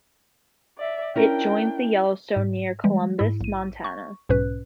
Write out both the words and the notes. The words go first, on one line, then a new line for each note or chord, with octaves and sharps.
It joins the Yellowstone near Columbus, Montana.
D5 E5
C#4 D4 E4 A#4 G5
G#2
E3 G3 G#3
G#2 E4
A#1 D#7
C#6
B1 G#2 B2 C#4 B4 F#6